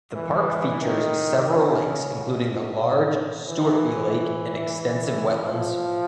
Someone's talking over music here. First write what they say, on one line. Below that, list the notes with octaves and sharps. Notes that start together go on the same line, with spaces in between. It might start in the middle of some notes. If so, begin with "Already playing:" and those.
The park features several lakes including the large Stewartby Lake and extensive wetlands.
E3
D#3
C#3
E3
F3